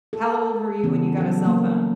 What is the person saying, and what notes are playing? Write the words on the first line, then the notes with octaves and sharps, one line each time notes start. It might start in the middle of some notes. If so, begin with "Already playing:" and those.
How old were you when you got a cell phone?
A4
C#3 E3 B3 C#4
F#3 G3 A4
A#3